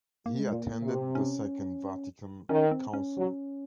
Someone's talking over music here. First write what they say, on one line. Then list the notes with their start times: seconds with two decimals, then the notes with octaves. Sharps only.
He attended the Second Vatican Council.
0.26 A#3
0.39 G#3
0.48 A#2
0.53 A#3
0.82 C3
1.15 C#4
2.49 D#3 C#4
2.71 C4
2.93 C#4
3.16 F#3